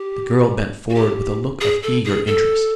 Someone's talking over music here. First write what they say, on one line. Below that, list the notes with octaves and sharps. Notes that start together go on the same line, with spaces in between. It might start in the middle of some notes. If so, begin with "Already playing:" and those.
The girl bent forward with a look of eager interest.
Already playing: G4
F#4
G4
G#4
A4
G#4
A4